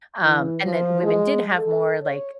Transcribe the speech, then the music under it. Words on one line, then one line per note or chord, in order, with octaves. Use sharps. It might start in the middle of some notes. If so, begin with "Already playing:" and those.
Um, and that women did have more, like,
E3
F3
G#3
A4
C#5